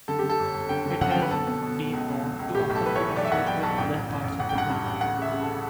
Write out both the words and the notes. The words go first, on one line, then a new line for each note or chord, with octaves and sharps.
It has been known to often be confused with other parts of the plant.
D3 A4
D3 G4
A4
G1
G1
D3 G5
D3 G5
F#2 F#5
D3 G5
B4
B2 A4
B2
B2
B2
C#2
B2
B2
C#2
A2 G4
B1
A4
A2 B4
C#5
E3
B1 D5
E5
B1 F#5
B1 G5
B1 A5
A1 G5
A1
A1
A1
A1 F#5
G5
G2 F#5
G2
A1
D2 F#5
C#3
E5
C#3
A4
C#3